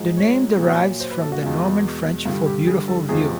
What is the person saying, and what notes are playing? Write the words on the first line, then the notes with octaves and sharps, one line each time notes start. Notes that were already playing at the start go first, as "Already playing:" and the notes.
The name derives from the Norman-French for "beautiful view".
Already playing: G#2 F3 G#3
C#5
A#2 F#3
C5
B4
A4
F#4
E2 B2 G#3 F4
G2 D3 G3 F4
G4
G#4
A4
E2 C3 F3 G#3 G#4